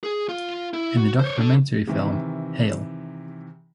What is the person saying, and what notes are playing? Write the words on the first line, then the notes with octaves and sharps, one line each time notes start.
In the documentary film Hail!
G#4
F4
E4
F#4
C5 C#5
D4 A4
C3 D#3 E3